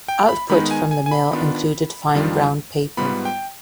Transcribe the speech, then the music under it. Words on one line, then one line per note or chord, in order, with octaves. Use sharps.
Output from the mill included fine brown paper.
G5
B5
D#3 G#3 B3 D#4 B5
G#5
G#5
G#5
B5
D#3 B3 D4 F4
F2 D#3 G3 D4 F4
G#2 G3 B3 F4 B5
G5